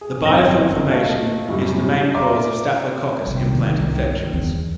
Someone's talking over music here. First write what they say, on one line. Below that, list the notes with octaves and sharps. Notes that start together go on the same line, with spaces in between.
The biofilm formation is the main cause of "Staphylococcus" implant infections.
G#4
G1 F#2 C4 D#5 A#6
A3 A#3 D#5 F5
F#2 A2 C#3 G3
D5 E5 F5 A#5 C6 D6
G1 C2 D#3
E2